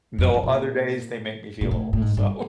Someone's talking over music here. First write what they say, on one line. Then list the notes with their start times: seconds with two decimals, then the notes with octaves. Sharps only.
Though other days they make me feel old, so
0.18 F2
0.34 F2
0.43 B2
0.49 A#2
1.61 A#2
1.71 A2
1.93 A2
2.02 G#2
2.17 G2